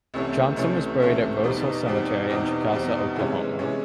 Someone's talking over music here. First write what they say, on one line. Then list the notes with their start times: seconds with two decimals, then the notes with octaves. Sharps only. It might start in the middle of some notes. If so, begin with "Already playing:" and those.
Johnson was buried at Rose Hill Cemetery in Chickasha, Oklahoma.
0.14 C2 C3 E3 A3 C#4
0.57 C2 C3 E3 A3 C#4
1.00 C2 C3 E3 A3 C#4
1.43 E2 B2 G3 C4 D#4
1.86 E2 B2 G3 C4 D#4
2.29 E2 B2 G3 C4 D#4
2.72 E2 B2 G3 C4 D#4
3.16 C3 E3 G#3 C#4
3.59 C3 E3 G#3 C#4